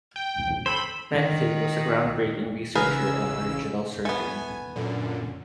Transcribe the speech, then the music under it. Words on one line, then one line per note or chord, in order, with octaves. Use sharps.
Penfield was a groundbreaking researcher and original surgeon.
G5
A4 C5 B5
D#3
A1 C#3 G#4 A#4 B4 E6
A3 B3 G#5
F#2 A#2 D3